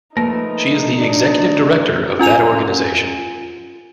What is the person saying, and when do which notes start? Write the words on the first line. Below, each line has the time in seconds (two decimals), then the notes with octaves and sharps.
She is the executive director of that organization.
0.17 F3 A3 A#3 D#4 A#4 B4
0.98 D4
2.19 C#4 F4 G#5 F7